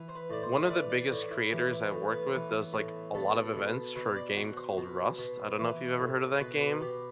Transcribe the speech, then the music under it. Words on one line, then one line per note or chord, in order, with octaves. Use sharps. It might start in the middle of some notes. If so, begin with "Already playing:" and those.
one of the biggest creators I worked with does, like, a lot of events for a game called Rust, I don't know if you've ever heard of that game?
Already playing: E3
C5
B4
A2 D5
C5
E5
E3 D5
D5
A2 D5
E4
E3 G4
E4
A2
B3
E3
A2
B2 A4
B2
B2 B4
D5
B2 F#5
C5
B2
B2
E3
A2
B2 B4
B4
B2 G4